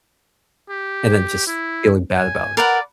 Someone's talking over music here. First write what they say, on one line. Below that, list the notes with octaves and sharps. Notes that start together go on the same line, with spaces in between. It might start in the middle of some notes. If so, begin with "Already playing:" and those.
and then just feeling bad about it.
G4
E4
G#5
A#4 B4 D5 F#5